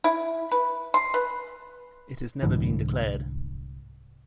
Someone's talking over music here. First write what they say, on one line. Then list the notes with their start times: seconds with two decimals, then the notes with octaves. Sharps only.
It has never been declared.
0.04 E4
0.52 B4
0.94 C6
1.14 B4
2.43 C2 G#2 D3 E3